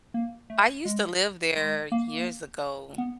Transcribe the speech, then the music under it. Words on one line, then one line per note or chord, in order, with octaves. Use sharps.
I used to live there years ago.
A#3
A3
G#3
G#3
A#3
B3